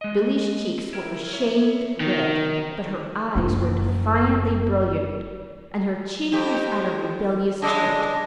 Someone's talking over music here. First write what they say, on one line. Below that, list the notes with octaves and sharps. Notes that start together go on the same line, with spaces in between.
Billy's cheeks were a shamed red, but her eyes were defiantly brilliant, and her chin was at a rebellious tilt.
G#3 D#5
E4 A#4
C#5 E5
D#3 A#4
F#1 E4
F2 G4
C#3 G#3 D4 D#5